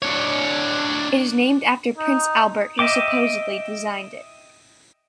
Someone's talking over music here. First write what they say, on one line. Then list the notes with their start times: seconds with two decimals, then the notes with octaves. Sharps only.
It is named after Prince Albert who supposedly designed it.
0.02 D4 C#5
1.98 D#4
2.79 D#5 E5 G5 D6